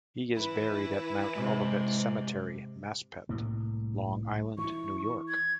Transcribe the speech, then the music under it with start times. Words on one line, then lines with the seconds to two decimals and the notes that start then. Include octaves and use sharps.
He is buried at Mount Olivet Cemetery, Maspeth, Long Island, New York.
0.36 E3 E4 B4
1.34 G#2 C3
3.29 C2 A2 A#3
4.58 E3 C#6
5.29 G#6